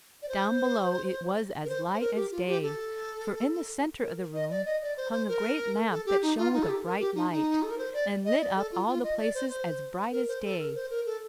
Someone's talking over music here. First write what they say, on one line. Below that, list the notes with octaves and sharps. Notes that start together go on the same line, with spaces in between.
Down below it was as light as day, for in the centre of the room hung a great lamp that shone with a bright light and lit up all the place as bright as day.
D5
C5
A#4
C5
C5
A#4
G4
F4
G4
A4
A#4
D#5
D5
D#5
D5
C5
C5
A#4
A4
G4
D#4
F4
D#4
A4
G4
A#4
G4
D#4
D#4
A4
A#4
C5
D5
D#5
D5
A4
F4
F4
D#5
D5
C5
C5
A#4
C5
A4
A#4
C5
A#4
A4